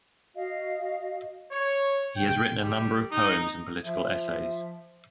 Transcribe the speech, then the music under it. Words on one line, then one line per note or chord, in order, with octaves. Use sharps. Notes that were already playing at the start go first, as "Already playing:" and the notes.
He has written a number of poems and political essays.
F#4 D#5 F5
C#5
G5
G3
D#4
F3 E5